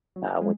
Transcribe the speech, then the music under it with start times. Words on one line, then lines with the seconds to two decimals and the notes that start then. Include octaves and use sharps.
uh, when
0.16 F#3
0.41 G#3